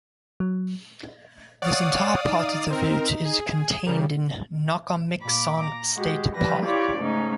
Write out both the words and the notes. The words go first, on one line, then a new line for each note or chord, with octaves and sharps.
This entire part of the route is contained in Nockamixon State Park.
F#3
C#5 D5 F5 F#5 D#6
D#4
C4 A#4
G#4
C#3 G3 A#4
A#2 B5 D6
A#5
G#3 F#4 G4
E3 F3 G3 B4 A#6
E4 F4 G4 C#5 D5
G#2 C#3 A3 C#4 D#4